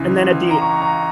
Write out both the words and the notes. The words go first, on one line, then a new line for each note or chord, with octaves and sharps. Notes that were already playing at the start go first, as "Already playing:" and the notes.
And then at the
Already playing: C#2 C#3 E3
A#5
C#6
A#5